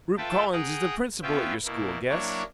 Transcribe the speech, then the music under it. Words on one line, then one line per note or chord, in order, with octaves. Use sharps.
"Rupe Collins is the principal at your school, guess."
F4 A4 B4 E5 G5 A5
G#4 F#5 G5 A#5 D#6
B3 C#4 F4 B4 E5 G5
B2 A#3 E4
F#3 A#3 D4 E4 C#5